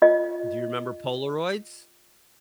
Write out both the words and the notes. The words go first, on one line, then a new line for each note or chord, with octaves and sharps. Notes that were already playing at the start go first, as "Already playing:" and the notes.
Do you remember Polaroids?
F4 D#5